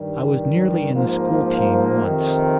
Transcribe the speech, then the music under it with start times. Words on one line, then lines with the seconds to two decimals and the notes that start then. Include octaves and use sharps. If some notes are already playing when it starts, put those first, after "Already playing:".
I was nearly in the school team once.
Already playing: G2 D#3 G3
0.93 G#2 F3 A#3
2.03 F2 C3 D#3